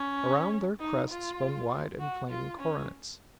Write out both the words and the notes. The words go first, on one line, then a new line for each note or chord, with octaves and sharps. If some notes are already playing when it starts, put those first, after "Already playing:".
Around their crests spun wide and flaming coronets.
Already playing: C#4
D#4
F4
F#4
F4
C#4